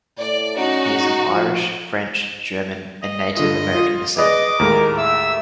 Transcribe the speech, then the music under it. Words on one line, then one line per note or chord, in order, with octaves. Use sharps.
He is of Irish, French, German, and Native American descent.
A2 D5
C#4 D#4 F#4
F3
D#5
G2 D3 F4 D#5
F4
G#4 B4 D5 D#5 D6
D#2 A2 G#3 A#4
E5 E6